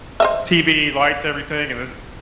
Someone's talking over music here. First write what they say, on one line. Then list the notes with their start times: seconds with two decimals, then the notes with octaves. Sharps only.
TV, lights, everything, and then ju
0.20 C5 D#5 E5